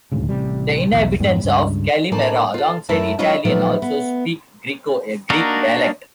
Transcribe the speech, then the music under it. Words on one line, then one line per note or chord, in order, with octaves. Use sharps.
The inhabitants of Calimera, alongside Italian, also speak Griko, a Greek dialect.
D#1 D2 G#2 C#3
A1 C3 G3
B1 E2 E3
F2 G#2 G3 B3
C#2 G2 C#3
A2 D3 A#3 D5 G#5 A5
F4 A4
F#2 A3 E4 A#4 A5
F#3 G#3 C#4 E4 F4 D#5
A#2 D#3 F3 F#3 A3 B3
B3
A#3 D4 D#4 F#4 A#4